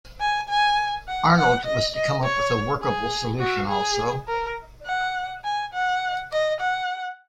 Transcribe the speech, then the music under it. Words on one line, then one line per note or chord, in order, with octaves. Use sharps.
Arnold was to come up with a workable solution, also.
G#5
G#5
F#5
F#5
D#5
D#5
C#5
G#4
F#4
G#4
A#4
F#5
G#5
F#5
D#5
F#5